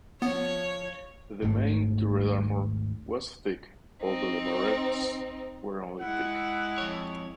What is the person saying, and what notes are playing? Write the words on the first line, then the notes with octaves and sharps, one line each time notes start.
The main turret armor was thick although the barbettes were only thick.
F3 B3 C#5
G#1 D#2 G#2 A3
C4 D#4
G#3 E4 F#5
F2 C#5